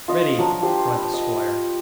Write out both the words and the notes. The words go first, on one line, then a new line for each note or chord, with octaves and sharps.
"Ready!" cried the squire.
F4 D#5
F3 F#3 D4
F3 G4 C5
B5
D#5